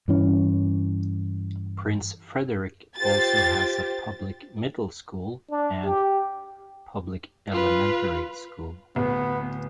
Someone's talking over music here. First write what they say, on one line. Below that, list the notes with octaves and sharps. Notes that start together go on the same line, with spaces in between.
Prince Frederick also has a public middle school and public elementary school.
G2 E3 C#4
F4 G4 C5 A6
D4
G4
F4 B4
D1 B3